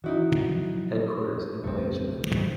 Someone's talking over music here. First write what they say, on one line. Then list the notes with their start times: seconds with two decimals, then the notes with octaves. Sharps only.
Headquarters in Malaysia.
0.04 E3 D#4 E4 F#4
0.36 F3 F#3
1.64 B1 F2 C#3 A3 C4
2.32 G3